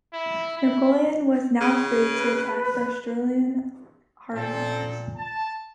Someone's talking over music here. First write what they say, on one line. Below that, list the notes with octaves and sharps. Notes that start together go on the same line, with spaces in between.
Napoleon was now free to attack the Austrian heartland.
E4
E4
C#3
B4
A#2 C4 A4
A5